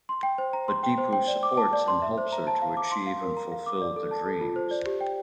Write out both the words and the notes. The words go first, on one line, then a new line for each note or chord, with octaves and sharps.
But Dipu supports and helps her to achieve and fulfill the dreams.
C6
G5
C5
A#5
C6
G5
C5
G5
D5
D6
A5
D5
C6
E5
C5
A#5
A5
F5
D6
C6
F5
A#4
A#5
F5
D6
D5
A4
A5
A4
F4
C5
D5
G4
G5